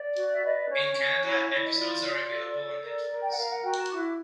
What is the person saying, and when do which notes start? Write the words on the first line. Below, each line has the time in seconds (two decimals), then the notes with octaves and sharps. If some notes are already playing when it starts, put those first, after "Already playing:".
In Canada, episodes are available on Netflix.
Already playing: D5
0.15 F#4
0.31 E5
0.41 B4 D#5
0.56 D5
0.68 C#4 C#5
0.95 C#4
1.22 E4
1.49 E4
1.64 D#5
1.75 F4 D5
2.02 F4
2.29 A4
2.55 A4
2.82 A#4 D5
3.10 A#4
3.21 G5
3.29 F#5
3.36 A#4 F5
3.50 F#5
3.63 F#4 G5
3.77 A5
3.90 E4 D6